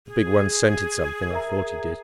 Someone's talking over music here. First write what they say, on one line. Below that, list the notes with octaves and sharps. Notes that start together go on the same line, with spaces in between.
"The big one scented something, or thought he did."
G#4
A#4 E5 A#5